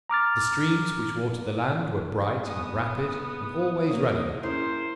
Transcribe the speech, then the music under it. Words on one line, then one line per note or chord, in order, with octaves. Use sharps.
The streams which watered the land were bright and rapid, and always running.
A#5 D6 F6 A6
G3 B3 D#5 G#5 D#6
A#3 C#5
C#4 E4 G#4 A#4 C5